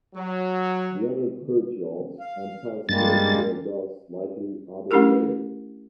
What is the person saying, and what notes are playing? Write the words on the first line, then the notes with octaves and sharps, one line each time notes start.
The other courtyards and passages were thus likely added later.
F#3
F5
G2 G3 G#3 A#3 A6
A3 C#4 D4 E4 G4 A#4